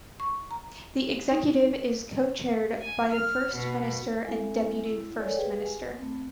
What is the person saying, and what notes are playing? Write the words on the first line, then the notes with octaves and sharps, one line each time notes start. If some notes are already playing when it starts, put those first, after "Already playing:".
The Executive is co-chaired by the First Minister and deputy First Minister.
C#6
A#5
D#4
G#5
F6
B2
G#3 C4 E4 A4 E5
E4
A4 A#4 C#5 D5 G#5
G4 G#4 B4 F5 G5
G#5
A3 B3 C4